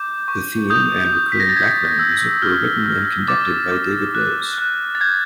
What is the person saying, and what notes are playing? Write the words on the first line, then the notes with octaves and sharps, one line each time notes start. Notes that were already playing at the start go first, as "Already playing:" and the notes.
The theme and recurring background music were written and conducted by David Rose.
Already playing: D6 G6
C#6
D#6 G6
D#6
B6
A#6
A6
G6 G#6
E6
F6
F6
D6 A6
D6
F#6
F#6
A6
G6 G#6